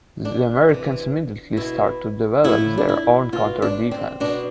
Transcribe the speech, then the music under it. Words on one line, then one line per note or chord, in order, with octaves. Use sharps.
The Americans immediately start to develop their own counter-defense.
D4
C3 E3
B2 E4
A2 F3 E4
D4
E4
B2 F4
D4
C4
B2 D4